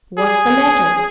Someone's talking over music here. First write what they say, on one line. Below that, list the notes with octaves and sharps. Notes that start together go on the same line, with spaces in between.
What's the matter?'
G#4